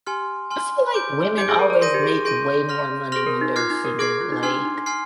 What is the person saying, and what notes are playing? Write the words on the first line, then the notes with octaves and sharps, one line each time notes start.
I feel like women always make way more money when they're single, like,
G4 G#5 C6 F6
G#5 C6 F6
D6 G6 D7
G4 D6 G6 D7
G#4
A#4
D5
A#4 C6 G6 A#6 D#7
G4
G#4
G#4 C6 G6 A#6 D#7
C6 F6 A#6 F7
G#4 C6 F6 A#6 F7
A#4
D#4
F4 D6 F6 G#6 C7
D#4
A#4
G#4 D6 F6 G#6 C7
G#4
F4
D#4
D4 G#5 C6 F6 C7
D#4
G#5 C6 F6 C7